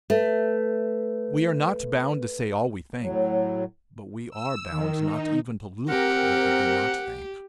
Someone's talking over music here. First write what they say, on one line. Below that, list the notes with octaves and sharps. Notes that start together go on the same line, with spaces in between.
We are not bound to say all we think, but we are bound not even to look what we do not think.
A3 B4
A2 F#3
E6
D#3
D#4
C4 G4 A#4 F#5